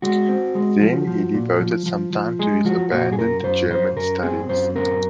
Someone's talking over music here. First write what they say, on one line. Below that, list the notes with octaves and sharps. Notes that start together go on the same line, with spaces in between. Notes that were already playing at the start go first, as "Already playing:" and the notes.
Then he devoted some time to his abandoned German studies.
G#3 F#4
C4
G#3
F3
F3
A#2
F3
F3
F3
G#3 G#4
F3 F#4
A#2 F#4
G#4
F#2 A#4
F#2 C5
F#2 C5
F#2 A#4
C4 G#4
F#2 C5
C4 A#4